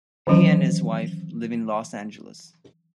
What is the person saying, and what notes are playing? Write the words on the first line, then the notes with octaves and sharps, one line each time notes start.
He and his wife live in Los Angeles.
D#3 E3 F#3 C#4